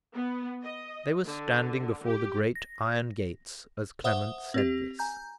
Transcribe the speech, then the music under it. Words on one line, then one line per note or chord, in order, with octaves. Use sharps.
They were standing before the great iron gates as Clement said this.
B3
D#5
D3
G4
A#6
C5 E5 F#5 D#6 G7
C4 G4
G#5 A#5 G6